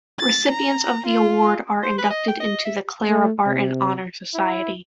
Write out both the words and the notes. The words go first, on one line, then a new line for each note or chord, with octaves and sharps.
Recipients of the award are inducted into the Clara Barton Honor Society.
A6
A#5
F4
C5
B4
D#5
G5
D#5
E5
A3
C3
E4